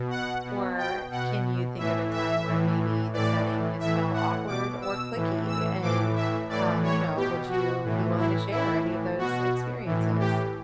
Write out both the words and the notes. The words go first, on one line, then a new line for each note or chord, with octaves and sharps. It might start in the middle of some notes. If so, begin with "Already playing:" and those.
or can you think of a time where maybe the setting has felt awkward or cliquey, and, um, you know, would you be willing to share any of those experiences?
Already playing: B2
F#5
B2
G5
B2 F#5
A2 E3 E5
E5
A2 E3
A2 E3 D5
A2 E3 E5
F#5
B2 D6
E6
A2 E3
E6
A2 E3 D6
E5
A2 E3 D5
C#5
B2 G4
F#4
A2 E3
E4
A2 E3 E4
B2 F#4
A2 E3
G4